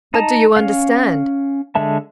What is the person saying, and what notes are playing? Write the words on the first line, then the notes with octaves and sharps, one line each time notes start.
"But do you understand?"
D#4 D#5 A5 A#5
C#4 F5
D3 G#3 E5 A5